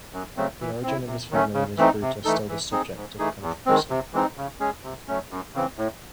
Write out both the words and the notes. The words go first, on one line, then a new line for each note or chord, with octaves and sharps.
The origin of his family and his route are still the subject of controversy.
F#2
C#3 F#3 A3 C4
E3
C4 E4
C3
D#3 F#3 A3 C#4
C#3
E3 A3 C4 D#4
C3
E3 A3 D#4 A4
E3
C4 D#4 G#4
G#2
E3 A3 D#4 G#4
E2
D#3 G#3 C4
C3
E3 G#3 C4 D#4
C#3
G#3 C#4 G#4
C3
F#3 A3 C#4
F#2
C#3 E3 C4
A2